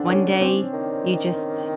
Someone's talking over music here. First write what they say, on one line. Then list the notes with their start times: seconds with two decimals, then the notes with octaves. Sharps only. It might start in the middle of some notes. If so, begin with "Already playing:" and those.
one day, you just
Already playing: D3 C4 D4 D#4
0.10 C#4
0.42 C4
0.73 D#3